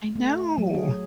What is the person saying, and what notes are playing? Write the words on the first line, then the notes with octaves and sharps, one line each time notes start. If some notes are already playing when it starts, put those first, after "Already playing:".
I know.
A3
F#3
G#4